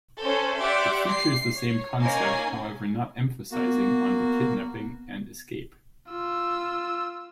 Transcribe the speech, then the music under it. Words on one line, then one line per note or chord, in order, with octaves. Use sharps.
It features the same concept, however not emphasizing on the kidnapping and escape.
C#4 A4 C5
G4 D5 E5 F#5 C6 D6
C7
C#5
A#3 C#4 D#4 A#4 G#5 C7
A#3 B3 F#4
F4 E6